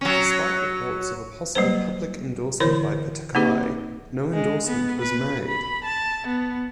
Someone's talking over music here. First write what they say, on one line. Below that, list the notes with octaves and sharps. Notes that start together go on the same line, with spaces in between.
Despite reports of a possible public endorsement by Pataki, no endorsement was made.
F#3 C#4
F#3 G3 A#3 B4 C5
D3 E3 E4 A#4 C5 C#5
A#3 C4 D#4 G4 G#4 B4
G#3
B3
B4
B5
A5
B3